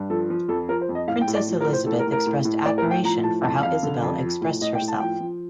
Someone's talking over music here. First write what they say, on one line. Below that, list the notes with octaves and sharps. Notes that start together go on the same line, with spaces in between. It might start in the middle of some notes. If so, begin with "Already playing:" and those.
Princess Elizabeth expressed admiration for how Isabel expressed herself.
Already playing: G2
F3 A4
F3
F2 A4
F3 A#4
C5
F2
D#5
A2 F5
G5
A2
D5
F3
A#4
A2
C5
A2 A4
A#4
A2
A#4
A2
A2
A2 D5
A#4
A2
G5
F3 A#5
A2 A5
F2 A5
F2 F5
D3
F2
F3
A2
A2 D#5
G5
A2
A5
F3 G5
F3